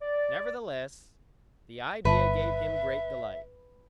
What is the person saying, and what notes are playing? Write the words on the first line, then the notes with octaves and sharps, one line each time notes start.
Nevertheless, the idea gave him great delight.
D5
G1 B4 E5